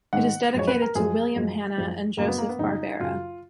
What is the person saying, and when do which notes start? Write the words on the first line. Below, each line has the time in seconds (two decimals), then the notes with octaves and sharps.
It is dedicated to William Hanna and Joseph Barbera.
0.13 G#2 D#3 G#3 F#5
0.54 F#2 F3 G#3 C#5
0.68 B4
0.82 A#4
0.95 F#2 F3 G#3 G#4
1.36 F#2 F3 G#3
1.77 F#2 F3 G#3
2.18 F#2 C#3 F#3 A#3
2.28 B3
2.38 A#3
2.49 B3
2.59 F#2 C#3 F#3 D#4
3.00 F#2 C#3 F#3 F4